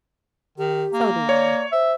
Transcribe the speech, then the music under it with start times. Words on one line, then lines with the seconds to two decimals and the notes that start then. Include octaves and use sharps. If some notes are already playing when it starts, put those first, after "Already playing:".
So do I.
0.58 D#3 G4
0.93 A#3
1.29 C#5 D5
1.72 C5 E5